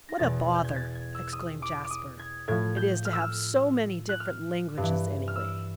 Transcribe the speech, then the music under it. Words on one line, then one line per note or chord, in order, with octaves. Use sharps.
"What a bother," exclaimed Jasper, "it is to have so many different languages, anyway!"
A#6
E2 B2 A6
G6
G#6
A6
G#6
E6
D#6
D6
D6
D#6
G#6
A2 F3 G#6
G6
F6
E6
F6
F#6
F6
G2 E3
F6
E6